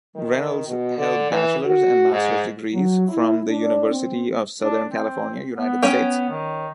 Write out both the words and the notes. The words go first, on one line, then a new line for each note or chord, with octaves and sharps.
Reynolds held bachelor's and master's degrees from the University of Southern California, United States.
D#3
B2
D3
E3
F#4
G#2
F#3
E4
D4
C4
D4
C4
B3
C#4 C#5 G5
D#3